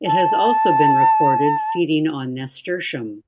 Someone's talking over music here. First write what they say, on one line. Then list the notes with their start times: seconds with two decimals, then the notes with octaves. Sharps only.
It has also been recorded feeding on nasturtium.
0.06 A5